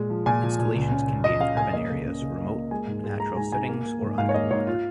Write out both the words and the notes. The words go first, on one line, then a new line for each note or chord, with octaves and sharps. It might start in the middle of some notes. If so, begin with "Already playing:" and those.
Installations can be in urban areas, remote natural settings, or underwater.
Already playing: A#2 G#3
F3
A#2 G#5
F3
A#2
C#2
C#3
C#3
F3 D#5
C#3 F5
C#3 G#5
A#3 D#5
C#2
C#3
C#3
A#3
A#3
G#3 G#5
G#2
G#3
G#3 A#5
G#2 G#5
G#2 G#5
A#3
A#3
G#2
G#2 F5
C#5
A#3 D#5
G#2 C#5
F4